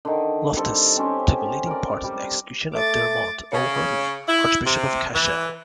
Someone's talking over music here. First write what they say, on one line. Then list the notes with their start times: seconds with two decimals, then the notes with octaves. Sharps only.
Loftus took a leading part in the execution of Dermot O'Hurley, Archbishop of Cashel.
0.05 D3 D#3
0.56 G3 C4 A4
0.97 C4 C#4 G4
1.67 A#4 D5
2.03 G3
2.75 A3 D6 A6
3.52 C#3
4.28 E4
4.65 C3
5.14 E3